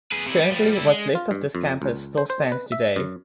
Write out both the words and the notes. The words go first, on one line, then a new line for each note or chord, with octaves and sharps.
Currently, what's left of this campus still stands today.
G#4 B4
C3 E4
G3
F3 G3
G3 E4
G#3
F4
G2
F2
C#2
C5
C5
B4
E5
F#2